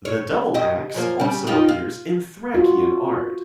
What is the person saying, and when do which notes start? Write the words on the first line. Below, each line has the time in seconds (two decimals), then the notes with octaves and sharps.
The double-axe also appears in Thracian art.
0.05 C#5
0.54 G4 D#5
0.94 F#2 F3 A#3
1.20 C#3 G3
1.47 D#4 F4 G4
1.69 F4
2.54 F4 F#4